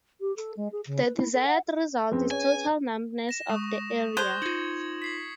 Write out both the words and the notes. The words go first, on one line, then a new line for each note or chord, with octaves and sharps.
The desired result is total numbness of the area.
G4
A4
G#3
G#4
C#3
B4
E4
A4
F#5
F2 C4 C#4 G#4 B4
C#5 G#5
A#6 E7
G#3 C#6 D#6
C5 F#6 G#6 F7
D#4 F4 G#6 C#7 F#7
B6 C7 F#7